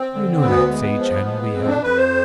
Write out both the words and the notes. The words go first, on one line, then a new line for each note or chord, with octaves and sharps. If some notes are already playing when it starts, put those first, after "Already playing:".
"You know that sage hen we had?"
Already playing: C4
D3
D2 B3
G#3
F3
G#3
F2 C4
D4
F2 B4
C5